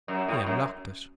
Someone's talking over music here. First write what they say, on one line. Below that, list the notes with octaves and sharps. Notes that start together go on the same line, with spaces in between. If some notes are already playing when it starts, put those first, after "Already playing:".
He unlocked it.
F#2
A2
F#2